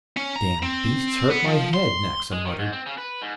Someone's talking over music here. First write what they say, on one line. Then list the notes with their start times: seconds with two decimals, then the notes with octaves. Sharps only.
"Dam' beasts hurt m'head," Naxa muttered.
0.17 C#4
0.36 A#5
0.63 C4
1.30 B3
1.46 F3
1.74 C6
2.33 G#3
2.45 D#3
2.59 G#2
2.73 C4
2.86 C#3
2.98 B4
3.22 G#2